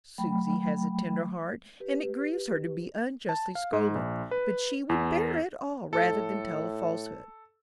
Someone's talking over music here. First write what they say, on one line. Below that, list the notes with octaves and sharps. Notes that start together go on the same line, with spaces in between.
Susy has a tender heart, and it grieves her to be unjustly scolded; but she would bear it all rather than tell a falsehood.
F#3 A3 G5 B5
G4 B4
A5
F5
G#2
A#1
B4
E2
A2 A4